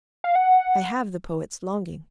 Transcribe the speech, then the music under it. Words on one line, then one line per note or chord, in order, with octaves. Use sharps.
I have the poet's longing.
F5
F#5